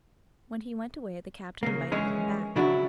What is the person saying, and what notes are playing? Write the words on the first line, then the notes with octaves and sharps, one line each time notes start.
When he went away the Captain invited him back.
C#3 A#3
E3 G#3 C#4 G#4
C#3 F#3 D4 E4 F#4